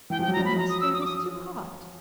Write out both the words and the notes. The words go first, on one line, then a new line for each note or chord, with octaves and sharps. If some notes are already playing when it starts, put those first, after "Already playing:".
"But mustard is too hot."
E3 G5
F3
G5
F#3
A#5
F3
F#3 B5
A#5
D#6
E6
D#6
D6
D#6